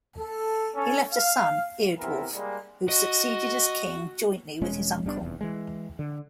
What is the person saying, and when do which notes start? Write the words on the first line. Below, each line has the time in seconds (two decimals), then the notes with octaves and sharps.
He left a son, Eardwulf, who succeeded as king jointly with his uncle.
0.18 A4
0.74 C#4 A4
1.11 F5
1.99 C3 E3 B3 E4 A#4
2.34 G3 G#3 A#3
2.89 F#4 D#5
4.62 E1 G#3 C#4
5.05 F#1 G3 B3 D4
5.21 F1 E2
5.41 E3 G#3
5.99 D3